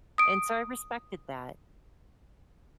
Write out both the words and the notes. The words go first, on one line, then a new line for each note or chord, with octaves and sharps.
and so I respected that,
D#6 D7